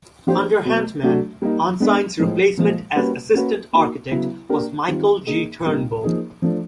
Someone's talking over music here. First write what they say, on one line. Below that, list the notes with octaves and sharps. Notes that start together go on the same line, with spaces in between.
Under Hantman, Ensign's replacement as Assistant Architect was Michael G. Turnbull.
F3 A#3 D4 G4 C5
B2 F#3 B3
F#3 A3 D4 F#4
G3 A#3 D#4
G#3 B3 D4
A2 F3 G#3
A#2 F3 G#3
G3 A#3 C#4 F#4 B4
A#3 C#4 F#4 B4
A#3 D#4 F#4
C#3 F#3 B3 E4
A#3 D4 G4 A#4
D#3 G3 C4 F4
A#3 D#4 G#4
A#2 G3 A#3 D#4
F3 A#3 D#4 G#4
F3 A3 D4